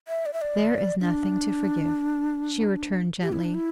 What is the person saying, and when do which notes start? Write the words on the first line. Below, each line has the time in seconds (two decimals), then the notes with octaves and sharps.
"There is nothing to forgive," she returned gently.
0.08 E5
0.26 D5
0.33 E5
0.42 D5
1.00 D4
3.22 G4
3.32 E4
3.44 D4
3.54 E4